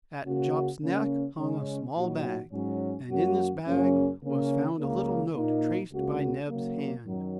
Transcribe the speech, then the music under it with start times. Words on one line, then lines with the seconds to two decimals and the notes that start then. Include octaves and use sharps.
At Jup's neck hung a small bag, and in this bag was found a little note traced by Neb's hand.
0.24 C#3 A#3 C#4 F#4
0.81 C#3 A#3 C#4
1.37 C#3 G#3 C#4
1.94 A#2 F#3 D#4 F#4
2.51 G#2 F#3 C#4
3.08 F#2 F#3 A#3 F#4
3.65 F#2 C#3 A#3 C#4
4.21 C#3 A#3 C#4
4.78 C#2 C#3 A#3
5.34 A#2 A#3 D#4
5.91 C#2 C#3 A#3 F#4
6.47 C#3 F#3 A#3
7.04 F#2 D#3 F#3